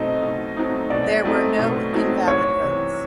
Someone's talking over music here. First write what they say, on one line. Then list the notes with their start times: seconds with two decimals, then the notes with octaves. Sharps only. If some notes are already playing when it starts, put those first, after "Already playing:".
There were no invalid votes.
Already playing: B2 F#3 A3 C4 D#4 D#5
0.23 B2
0.57 F#3 A3 C4 D#4
0.90 B2 D5
1.25 F#3 A3 C4 D#4
1.59 B2
1.93 F#3 A3 C4 D#4
2.27 C2 C#5
2.61 C3 E3